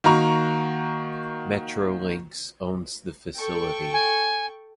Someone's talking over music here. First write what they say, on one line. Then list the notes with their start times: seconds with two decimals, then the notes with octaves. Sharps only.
Metrolinx owns the facility.
0.04 D#3 A#3 F#4 A#5 C#6
3.36 A4 G5 C#6
3.93 G#5